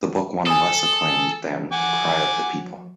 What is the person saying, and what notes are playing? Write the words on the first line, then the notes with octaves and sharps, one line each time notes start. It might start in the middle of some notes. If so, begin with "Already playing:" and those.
The book won less acclaim than "Cry of the People".
A4 G#5 D#6
F#5 G#5 D6